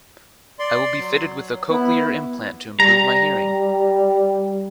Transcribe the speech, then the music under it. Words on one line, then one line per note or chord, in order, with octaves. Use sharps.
I will be fitted with a cochlear implant to improve my hearing.
D5 C6
F#3
B3 E4
G3 A#5